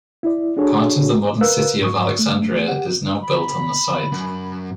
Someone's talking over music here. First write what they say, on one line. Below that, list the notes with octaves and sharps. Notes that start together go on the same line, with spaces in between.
Part of the modern city of Alexandria is now built on the site.
E4 D5
D4 F#4 G#4 A4 C#5
A#4 B4 F5 E6 F#6
G#2 C#6 D#6
A3
G4 F#5
B5
F#2